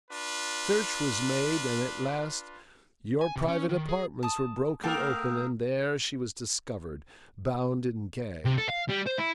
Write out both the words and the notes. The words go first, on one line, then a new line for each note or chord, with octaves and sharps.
Search was made, and at last your private apartments were broken open, and there she was discovered bound and gagged.
D4 F4 B4
G#5
C3
C#4
D#3
G#4
A5 D#6
A3 A4 A#4 G5 D#6 E6 G6
C3
A4
F5
G3
C5
E4